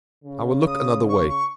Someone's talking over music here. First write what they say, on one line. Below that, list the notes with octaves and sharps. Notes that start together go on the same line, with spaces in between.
I will look another way.
C#3
D#6
C#6
C#6